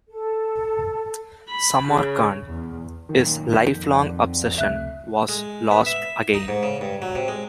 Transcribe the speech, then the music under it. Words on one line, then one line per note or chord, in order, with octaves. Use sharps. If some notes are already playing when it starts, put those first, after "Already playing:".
Samarkand, his lifelong obsession, was lost again.
A4
B5
C#3
E2
F#2 A#2 D#3
F2 G6 B6
D5 F#5
C#2 C3 A3 E5 F#6
G#3
B3
E5
D#4
G#2
C#3
G2
F#3
C3
G#3